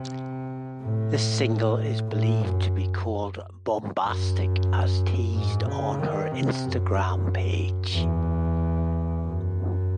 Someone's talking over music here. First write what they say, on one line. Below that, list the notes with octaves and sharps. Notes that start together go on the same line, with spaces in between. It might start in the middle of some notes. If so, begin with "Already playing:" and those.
This single is believed to be called "Bombastic" as teased on her Instagram page.
Already playing: C3
A2
A2
F#2
F#2
G#2
C#3
D#3
C3
F#2
E2
F#2